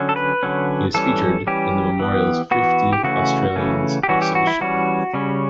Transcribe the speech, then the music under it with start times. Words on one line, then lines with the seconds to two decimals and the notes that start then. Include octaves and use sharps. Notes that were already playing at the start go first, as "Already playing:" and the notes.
He is featured in the Memorial's Fifty Australians exhibition.
Already playing: D3 F#3 C#4
0.09 A4
0.16 B4
0.43 D3 F#3 C#4
0.94 E3 G3 C#4 A4
1.47 E3 G3 C#4 G4
1.99 E3 B3
2.51 E3 B3 F#4
2.93 G4
3.03 C#3 E3 A3 C#4 F#4
3.56 C#3 E3 A3 C#4
4.03 G4
4.08 E3 G3 C#4 F#4
4.22 G4
4.35 F#4
4.47 E4
4.61 E3 G3 C#4 F#4
5.14 C#3 G3 C#4